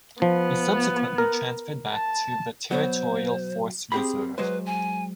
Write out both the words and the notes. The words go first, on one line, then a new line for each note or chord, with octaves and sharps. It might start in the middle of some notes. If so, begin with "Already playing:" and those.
He subsequently transferred back to the Territorial Force Reserve.
F3 B3
A#4
A5
B2 F#3 C5
C4 G4 G#4 B5
F#3 G#3 B4 C5
G#5